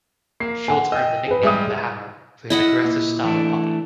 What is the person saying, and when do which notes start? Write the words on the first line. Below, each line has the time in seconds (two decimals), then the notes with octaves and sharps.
Schultz earned the nickname "The Hammer" for his aggressive style of hockey.
0.40 A#3 C7
0.68 F#5 G#5
0.92 D#5 G5 E6
1.27 G#4 B4
1.43 G3 G#3 G#4 E5 D#6
2.50 E4 D#5 F#5
2.85 A#2
3.23 E3 A3 D4